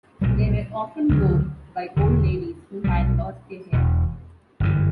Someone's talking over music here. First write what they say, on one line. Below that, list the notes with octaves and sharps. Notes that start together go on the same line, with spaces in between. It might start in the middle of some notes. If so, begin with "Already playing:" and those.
They were often worn by old ladies who had lost their hair.
B1 A#2 G3
D2 C#3 F#3
E1 E2 D3
B1 B2 G3
E1 E2 B2
G1 F#2 E3